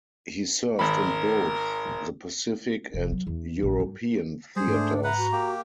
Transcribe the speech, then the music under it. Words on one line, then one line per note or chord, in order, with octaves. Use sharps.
He served in both the Pacific and European Theatres.
G#1 A#4 B5
F1
F#3
E2
A#1
G2
G3 G#4 C5
G#2 A3 D4
B4 E5 F#5 A#5
F#4
A#3 G4